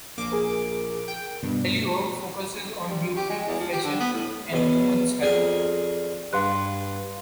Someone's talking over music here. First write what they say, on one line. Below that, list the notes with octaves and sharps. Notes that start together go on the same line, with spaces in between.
"Allure" focuses on beauty, fashion, and women's health.
A#1 A#3 D6
G#4 A#4
G5
G2 B2
G3
G4
G#3
E2
F3
G4
D3
B3
A2
E2 B2 C#4
F2 G#4 A#4 D5
G2 F5 C6 F#6